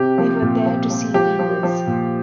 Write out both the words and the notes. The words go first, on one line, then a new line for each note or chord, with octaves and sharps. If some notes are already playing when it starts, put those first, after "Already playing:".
They were there to see beavers.
Already playing: C3 G4
F3
A#2
F3
F3
F3 G4
F3
F3
A#2